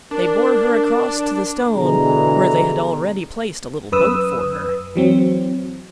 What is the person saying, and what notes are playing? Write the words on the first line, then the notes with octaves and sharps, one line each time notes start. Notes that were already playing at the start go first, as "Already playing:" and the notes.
They bore her across to the stone where they had already placed a little boat for her.
D4 A#4
B2 D3 E3 G#3 G#4 A#5
F#2 B4 D#6 E6
E3 F#3 C4